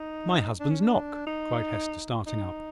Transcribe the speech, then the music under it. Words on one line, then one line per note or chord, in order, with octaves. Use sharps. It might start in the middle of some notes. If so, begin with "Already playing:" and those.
"My husband's knock!" cried Hester, starting up.
Already playing: D#4
D4
C#4
D4
D#4
D#4